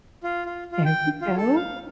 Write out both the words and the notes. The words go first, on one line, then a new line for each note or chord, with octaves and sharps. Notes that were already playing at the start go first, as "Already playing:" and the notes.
There you go.
F4
F4
F4
G5
F4
A4
F5